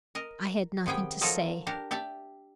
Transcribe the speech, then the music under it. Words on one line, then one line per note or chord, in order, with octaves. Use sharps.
I had nothing to say.
A#4 D#5
C3 D#3 B3 G#4 G5
F3 F#3 D#4 A4 A#4
D4 G4 A#4
G4 D5 E5 A5